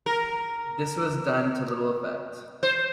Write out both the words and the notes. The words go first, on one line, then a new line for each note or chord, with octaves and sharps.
This was done to little effect.
A#4
C5